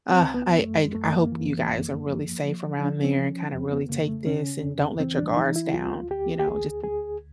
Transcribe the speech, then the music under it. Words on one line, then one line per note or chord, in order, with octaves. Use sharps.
Ah, I I I hope you guys are really safe around there and kinda really take this, and don't let your guards down, you know? Just
C4
C#2
B3
F#2 A3
G#3
F#2 A3
A#3
E3
F#2
F3
F3
F3 D4
C4
F3 C#4
F2 C4
B3
C#3 A#3
A3
C#3 C#4
F2
E3 C4
D4
E3 D#4
E4
D2 F4
D2 G4
G4
D2 G#4
D2 G#4